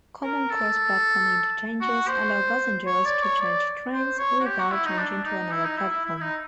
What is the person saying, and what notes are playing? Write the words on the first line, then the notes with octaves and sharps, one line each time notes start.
Common cross-platform interchanges allow passengers to change trains without changing to another platform.
A#4
A4
F#4
C5
C#5
D5
C#5
D5
C5
C#5
F#4
G4
F#4
E4
D#4
D4
D#4
E4
D#4
E4
E4
E4
E4
D#4